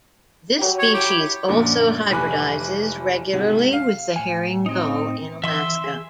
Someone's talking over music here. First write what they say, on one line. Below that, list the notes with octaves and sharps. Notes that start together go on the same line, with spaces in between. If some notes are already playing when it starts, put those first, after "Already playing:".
This species also hybridizes regularly with the herring gull in Alaska.
F#3 G4
C#5
E4 G4 G5
F#2 A#2 D3 F3
F1 E3 G#5 B5 D6 F#6
C2 G#2 C3
F5
A2 F#5 G#5
C4 D#4
E3 E5 C6 E6
G#4